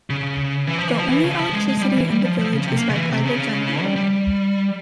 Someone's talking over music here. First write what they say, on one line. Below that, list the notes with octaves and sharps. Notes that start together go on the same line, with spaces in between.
The only electricity in the village is by private generator.
C#3
E3
F3
E3
F3
E3
C#3
F3
G#3
G#3
G#3
G3
E3
G3
F3
F3
C#3
C3
A#3
C#3
E3
C3
C#3
G3
G3